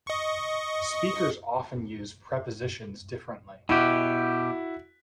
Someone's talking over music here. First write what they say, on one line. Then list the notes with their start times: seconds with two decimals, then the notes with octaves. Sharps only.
Speakers often use prepositions differently.
0.07 D#5 C#6
3.69 B2 E4 F#4 G4